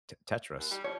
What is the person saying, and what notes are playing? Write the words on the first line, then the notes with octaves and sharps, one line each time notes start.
T Tetris,
D#2
G3
F3 C#5